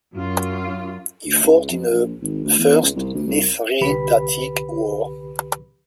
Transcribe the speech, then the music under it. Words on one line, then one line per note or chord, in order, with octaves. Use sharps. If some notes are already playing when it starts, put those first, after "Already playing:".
He fought in the First Mithridatic War.
F#2 F4
D2
C#2
F2
A#1
G#1
D2
E2
C#2
C2
D2
C2
C2 D3 G4 B4 B5